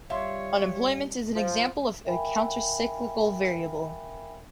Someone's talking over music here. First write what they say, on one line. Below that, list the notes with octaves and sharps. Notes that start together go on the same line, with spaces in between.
Unemployment is an example of a countercyclical variable.
G3 F4 C#5 E5 C6
F3
A#4 E5 F5 G5 G#5 B5